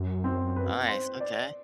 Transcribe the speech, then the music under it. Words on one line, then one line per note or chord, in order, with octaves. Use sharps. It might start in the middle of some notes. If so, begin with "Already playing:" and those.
Nice, okay.
Already playing: F#2
C4
B4
C5
D5